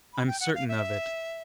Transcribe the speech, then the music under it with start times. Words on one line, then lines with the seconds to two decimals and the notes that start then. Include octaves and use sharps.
"I'm certain of it."
0.13 B5
0.27 G5
0.41 F#5
0.55 F5
0.69 E5